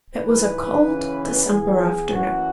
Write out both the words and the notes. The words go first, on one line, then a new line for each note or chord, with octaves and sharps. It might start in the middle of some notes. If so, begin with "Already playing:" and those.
It was a cold December afternoon.
G#2 E3 B4
F#2 C#3 E3
E2 E3 G#4
F#2 E3 F#4